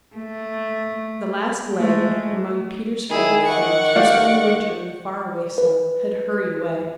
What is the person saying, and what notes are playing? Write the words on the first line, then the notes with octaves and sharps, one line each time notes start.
The last laggard among Peter's feathered friends who spend the winter in the far-away South had hurried away.
A3
G#3 A3
D#3 E4 G#4
D#5 F#5 C#6 D6
G4 D5 F5
B4